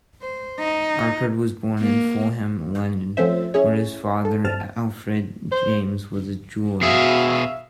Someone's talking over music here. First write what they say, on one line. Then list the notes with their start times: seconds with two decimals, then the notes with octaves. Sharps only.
Archard was born in Fulham, London, where his father Alfred James was a jeweller.
0.22 C5
0.59 D#4
1.80 A#3
3.17 F3 A3 C4 C#4 C5 E5
3.54 C#4 E4 G#4 C#5
4.25 A4
4.44 G2 C4 A5 F6
5.52 C5
6.82 B2 F#4 G#4 E5 F5